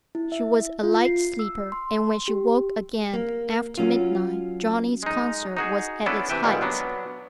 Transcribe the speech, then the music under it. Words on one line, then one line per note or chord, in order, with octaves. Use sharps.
She was a light sleeper, and when she woke again, after midnight, Johnny's concert was at its height.
E4
E5
F4
C7
E6
C6
G4
A#3
F#3 C#4 F4
G#3 D#4
D#4 F#4 G#4
B3 C#4 D4 E4 A4 B4
C3 E3 B4 E5 G5
A#2 D#3 G3 G#3 B3
F#3 B3 D4